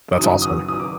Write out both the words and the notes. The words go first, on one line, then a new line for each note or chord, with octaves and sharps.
That's awesome.
F#1 F#2 D#3 F#3 D#6
D#6
D#6
D6